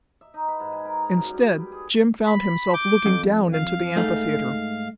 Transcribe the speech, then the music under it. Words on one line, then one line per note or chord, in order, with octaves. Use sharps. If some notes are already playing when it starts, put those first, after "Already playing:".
Instead, Jim found himself looking down into the amphitheatre.
E5
D#4
B4
G#2
G#5
A#4
A#5
F#2
G3
G5
B4
G#4
B5
D6 G6
F2
F5
G#2 A3 D#4